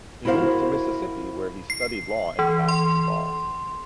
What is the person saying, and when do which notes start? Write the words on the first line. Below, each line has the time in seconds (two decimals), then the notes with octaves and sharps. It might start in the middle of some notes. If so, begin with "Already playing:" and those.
He moved to Mississippi, where he studied law and passed the bar.
0.25 E4 F#4 A#4 C5 F5
1.70 C7
2.39 E3
2.68 C6